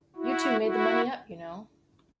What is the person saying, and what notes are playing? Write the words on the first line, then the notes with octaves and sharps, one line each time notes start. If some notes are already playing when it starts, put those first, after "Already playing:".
You two made the money up, you know!
E4 F#4
E4 F#4